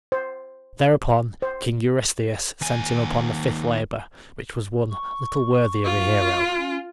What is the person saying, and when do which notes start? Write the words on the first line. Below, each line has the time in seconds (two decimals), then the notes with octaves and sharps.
Thereupon King Eurystheus sent him upon the fifth labor, which was one little worthy of a hero.
0.12 C5
1.42 C5
2.62 D#2 G#5
4.91 C#6
5.84 F4
6.57 C#4